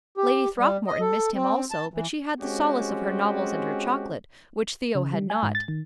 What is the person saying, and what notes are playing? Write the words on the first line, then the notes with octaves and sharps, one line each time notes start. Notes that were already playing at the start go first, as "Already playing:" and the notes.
Lady Throckmorton missed him also, but she had the solace of her novels and her chocolate, which Theo had not.
G4
G3
D#5
A4
C4
A5
E3
G#3 C4 C#4 F#4 G4
C#3
G3
G#5
G#2
A6
D#3